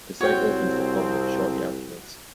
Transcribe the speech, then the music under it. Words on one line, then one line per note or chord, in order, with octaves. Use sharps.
The site opened to the public shortly afterwards.
C2 C4 F#4 C#5 G5